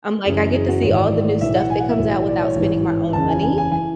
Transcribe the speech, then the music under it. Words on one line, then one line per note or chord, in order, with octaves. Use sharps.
I'm, like, I get to see all the new stuff that comes out without spending my own money,
F#1 F#2 E3 G#4
G#4
F#4
G#1 G#2 E3 C#5
D5
B1 A2 E3 E5
F#5
G#5
F#5
E5
B1 A2 E3
D5
C#5
A1 G#2 E3
F#1 E2 C#3 A5
G#5
G#5
G#5
E3 G#5